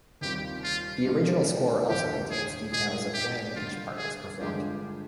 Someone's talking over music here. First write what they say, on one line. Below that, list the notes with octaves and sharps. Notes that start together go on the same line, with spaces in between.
The original score also contains details of when each part was performed.
D#2 D#3 G3 C4 F4 G4
F4
D3 G#3 D4 F4
D#2 D3 F3 G4
G#4
A#2 G#3 D#4 G#4
G4
D3 G3 A#3 F4
G#4
G2 D3 G#3 D4 F4 G4